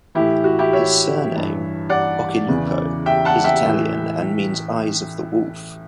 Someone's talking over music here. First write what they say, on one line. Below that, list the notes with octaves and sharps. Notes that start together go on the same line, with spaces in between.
His surname, Occhilupo, is Italian and means eyes of the wolf.
A2 E3 E4 G4
F#4
E4 G4
C#5 E5
E3
G2
D5 F#5
E2 C#3 E3
E5 G5
F#5 A5
E5 G5
A2 E3